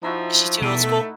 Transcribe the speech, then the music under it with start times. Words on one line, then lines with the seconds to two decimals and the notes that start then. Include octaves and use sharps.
Is she too old school?
0.03 F3 D#4 E4 F#4
0.62 E2 B2 A4 E5
0.83 A3